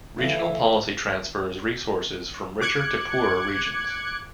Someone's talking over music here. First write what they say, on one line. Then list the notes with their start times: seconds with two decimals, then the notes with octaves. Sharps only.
Regional policy transfers resources from richer to poorer regions.
0.19 A2 E3 F3 E5
2.62 D6 F#6 G#6 C#7